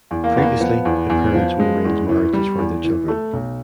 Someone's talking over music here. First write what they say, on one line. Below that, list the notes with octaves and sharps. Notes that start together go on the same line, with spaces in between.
Previously, the parents would arrange marriages for their children.
E2
A#3
E2 B3
A#3
F3 B3
E2
E2
F3
G#3
E2
E3
G3
E2
E3
A3
B1